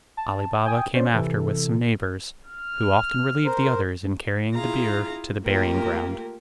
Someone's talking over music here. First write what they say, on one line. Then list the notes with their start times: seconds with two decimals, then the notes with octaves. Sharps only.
Ali Baba came after with some neighbors, who often relieved the others in carrying the bier to the burying ground.
0.17 A5
0.65 G5 G#5 D#6
0.94 C#4 C5 D5
1.13 C3 E3 A4
2.46 F6
3.45 A#4 C5
4.54 E4 F4 G#4 F5 A#5
5.45 A3 A#3 F4 G4 A#4